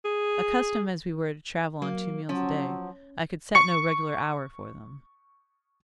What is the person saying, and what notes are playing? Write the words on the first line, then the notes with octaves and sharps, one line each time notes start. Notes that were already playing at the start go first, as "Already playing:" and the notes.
Accustomed as we were to travel on two meals a day, I could set no regular hour for them.
G#4
F#3 A#3
F3 F#3 C#4
C#6 C#7